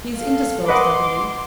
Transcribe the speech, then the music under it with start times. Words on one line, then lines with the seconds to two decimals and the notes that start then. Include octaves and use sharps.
She is indisposed, I believe.
0.16 A4 F5
0.68 B4 D#5 F#5 C6 D6